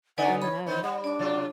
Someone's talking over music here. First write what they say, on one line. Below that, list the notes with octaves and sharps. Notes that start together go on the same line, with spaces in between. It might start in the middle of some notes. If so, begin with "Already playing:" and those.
Oh, no.
C#3 B3 D#4 B4 D5 F#5 G#5
C#5 B5
D#3 B3 C#4 C5
G3 F#5
D4 D5 D6
C3 F#3 F4